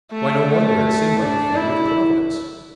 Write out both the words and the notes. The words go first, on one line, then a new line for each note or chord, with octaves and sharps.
Why, no wonder; it seemed like the finger of Providence.
A3
A3
D4
E4